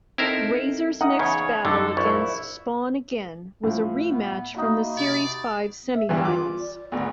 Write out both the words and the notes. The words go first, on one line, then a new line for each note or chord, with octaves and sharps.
Razer's next battle against "Spawn Again" was a rematch from the series five semi-finals.
C4 D#4 E4 A4 A#4 C5
D#4 F#5 A#5 D#6
E2 C#3 C#5
F#2 D3 D#4 A4
A#1 E4 C#6
A2 F3
B3
A#3 D#4 F#4 E5 B5
C3 D5
E5
E2 G2 E3 G3
F4 D6
D5
G#1 D2 B3